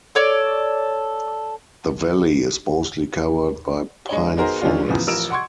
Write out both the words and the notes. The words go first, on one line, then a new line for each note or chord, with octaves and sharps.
The valley is mostly covered by pine forests.
A4 C#5 D5
G#3 D4 C#5
B3 D#4 F#4 G#4 A#4 C5
D3 F3 G#3 C#4 D4 F4
E2 A2 C#3 F3 B3
A1 F3 A#4 E6 D7 E7
F#5 C6 C#6 G#6